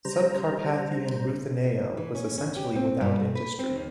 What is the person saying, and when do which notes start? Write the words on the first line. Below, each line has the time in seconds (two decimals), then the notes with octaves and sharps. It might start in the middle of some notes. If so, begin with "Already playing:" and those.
Subcarpathian Ruthenia was essentially without industry.
0.05 C#3 G3 C5 A#5
1.97 E3
2.15 C#4
2.38 C#4
2.57 G4
2.76 C4
3.01 G2
3.20 A3
3.35 B4
3.59 C4
3.76 D#2